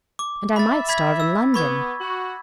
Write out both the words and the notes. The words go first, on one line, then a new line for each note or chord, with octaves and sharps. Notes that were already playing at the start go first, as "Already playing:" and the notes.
'And I might starve in London.
D6
E5 B5 A6
B5 G#6 B6
E6
B3 B5 C#6 G#6
F#4